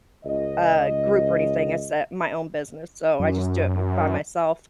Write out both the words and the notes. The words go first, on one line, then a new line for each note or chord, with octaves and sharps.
uh, group or anything, it's, uh, my own business, so I just do it m by myself,
C#2 D#5
F#2